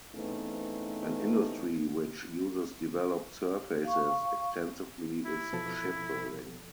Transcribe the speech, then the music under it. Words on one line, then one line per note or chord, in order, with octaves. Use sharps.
An industry which uses developed surfaces extensively is shipbuilding.
C#3 E3 A3 B3 C4 D#4
F5 C#6
E4
B2 F3 A4